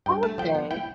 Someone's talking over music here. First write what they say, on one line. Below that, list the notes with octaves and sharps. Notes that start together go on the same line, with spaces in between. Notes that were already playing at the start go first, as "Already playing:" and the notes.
Oh, okay.
G2 G5
A3 A5
F3 G5
B3
E4 G5